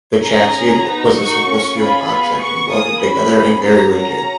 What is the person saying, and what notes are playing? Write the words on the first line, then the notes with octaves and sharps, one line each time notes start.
The chassis was a simple steel box section, welded together and very rigid.
C#4 G#4 A#5
C#4
G#4
B3 D#4 F#4
A#3 D#4 F#4 C#6
C#4 F#4
C#4 F4 G#4 B5
B3 F4 G#4
B3 F#4 C#6
A#3 F4 G#4 D#6
C#4 F#4 B5
A#3 C#4 G#4
B3 F#4 A#5
C#4 F#4 A#5